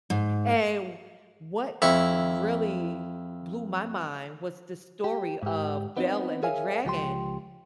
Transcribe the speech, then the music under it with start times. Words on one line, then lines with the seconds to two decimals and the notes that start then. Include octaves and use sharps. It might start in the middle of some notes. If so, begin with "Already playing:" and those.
and what really blew my mind was the story of Bel and the Dragon,
0.10 G#2
1.82 F2 E4 C#6
5.04 G4
5.43 G#2 G4
5.97 B3 C4 D#4
6.43 G#4 A#4 C#5 E5 F5 G#5
6.85 C#2 F3 G4 G5 C6